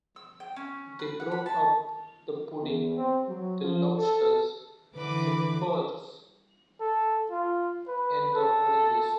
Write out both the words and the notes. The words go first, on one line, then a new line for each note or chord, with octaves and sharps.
They broke up the pudding, the lobsters, the pears, and the oranges.
E6
G5
C#4
B4
F#5
B5
A5
E2
C4
F#3
F3
A4
D3 E3 B4 D6
A4
F4
B4
A4